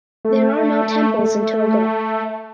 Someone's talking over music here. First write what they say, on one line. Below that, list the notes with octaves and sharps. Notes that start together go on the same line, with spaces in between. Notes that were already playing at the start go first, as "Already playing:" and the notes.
There are no temples in Togo.
A3
A3